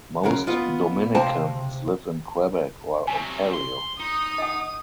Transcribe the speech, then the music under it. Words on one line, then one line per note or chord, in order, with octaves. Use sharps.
Most Dominicans live in Quebec or Ontario.
F#2 C#3 A#4
B3 F4 D#5
C3 C5 F5 G5 A5 A#5
C3 F#3 G#5
C6
D#4 D#6
D#5 F#5